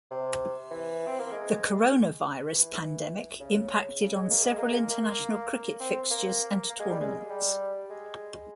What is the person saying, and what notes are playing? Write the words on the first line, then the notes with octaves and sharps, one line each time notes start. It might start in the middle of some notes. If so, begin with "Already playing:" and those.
The coronavirus pandemic impacted on several international cricket fixtures and tournaments.
C3
E3
C4
A#3
G#3
E3
C#3
C#3
G#3
A#3
G#3
A#3
A#3
C4
A#3
A#3
G#3
G3
G#3
G3
G#3